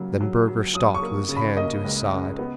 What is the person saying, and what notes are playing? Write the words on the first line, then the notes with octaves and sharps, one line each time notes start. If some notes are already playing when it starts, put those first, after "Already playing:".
Then Burger stopped with his hand to his side.
Already playing: C#3 F#3 A#3
F#3
F#3
F#3 D#6
C#6
A#3
C#3
B5
A#3 D#5
C#2
C#3
B3